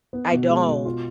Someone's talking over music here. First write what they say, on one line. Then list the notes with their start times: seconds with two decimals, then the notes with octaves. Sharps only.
I don't.
0.13 B3
0.31 B2
0.49 G#3
0.68 B2
0.85 F4